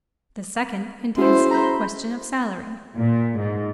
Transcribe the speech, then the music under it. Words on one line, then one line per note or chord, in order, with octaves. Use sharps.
The second contains the question of salary.
C#4 E4 F#4 G#4 C5
A#5 B5 G6
A#2
G#2